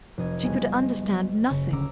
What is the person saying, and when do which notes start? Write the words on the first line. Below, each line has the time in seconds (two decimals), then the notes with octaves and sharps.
She could understand nothing.
0.17 F1 D#5 G#6
0.43 F#1 G3 B3 G#5
1.50 F#1 C#3
1.73 D1 D3 C#4 A#5 D6 E6